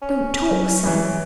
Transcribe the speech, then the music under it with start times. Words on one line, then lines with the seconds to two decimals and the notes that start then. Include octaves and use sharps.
Don't talk so.'
0.02 C#4
0.51 F#3
0.86 E3